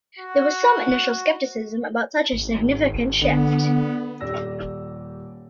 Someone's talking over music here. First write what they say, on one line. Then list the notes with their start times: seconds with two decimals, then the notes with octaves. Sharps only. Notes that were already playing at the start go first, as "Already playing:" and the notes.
There was some initial skepticism about such a significant shift.
0.19 F#4
2.33 G#1
3.22 D3 B3
4.21 D#1 G4 D5 E6 A#6